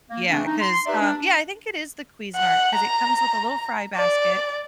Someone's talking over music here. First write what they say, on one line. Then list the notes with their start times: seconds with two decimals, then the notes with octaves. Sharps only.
Yeah, 'cause, um, yeah, I think it is the Cuisinart 'cause it comes with a little fry basket
0.10 A#3
0.30 C#3 E3 A3 C4 D4
0.46 D#4
0.60 C6
0.86 D#4 G4 B4 D5 E5
1.00 D4
2.36 F#5
2.76 A#5
3.96 D5